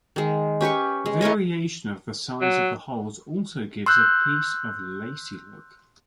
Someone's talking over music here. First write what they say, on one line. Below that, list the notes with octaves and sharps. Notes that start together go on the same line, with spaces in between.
Variation of the size of the holes also gives a piece a lacy' look.
D#3 G#3
C#4 G4 B4 C#6
G#3
E4 A#4 C#5 D#5
F#3
C6 E6 F#6 G6